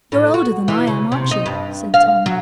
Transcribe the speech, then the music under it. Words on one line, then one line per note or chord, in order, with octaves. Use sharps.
"You're older than I am, aren't you?" said Tom.
A2
F#4
E3
C#3
C3
D#4
G2
F5
F#3